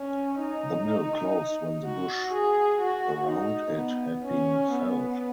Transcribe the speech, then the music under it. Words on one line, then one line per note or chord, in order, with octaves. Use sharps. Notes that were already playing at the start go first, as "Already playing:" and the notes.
The mill closed when the bush around it had been felled.
Already playing: C#4
D#4
F#4
G#4
F#4
D#4
B3
C#4
B3